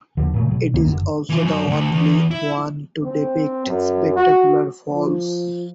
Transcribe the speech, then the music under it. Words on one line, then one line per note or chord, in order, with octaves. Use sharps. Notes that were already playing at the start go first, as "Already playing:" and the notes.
It is also the only one to depict spectacular falls.
D#2 D3 F3
A#2 C#3 A3
B2 F#3
D2 D#3 A#3 C#4
F#1 F#2 D3
E3 F3
F#2
D2
E2
E4
C4
F#2
F#4
F3